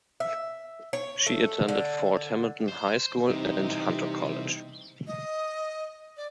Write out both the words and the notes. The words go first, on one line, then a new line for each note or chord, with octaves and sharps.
She attended Fort Hamilton High School and Hunter College.
E5
C#5
A3
D3
C5
C3 E3 G3 C4 D#4
D#5
D5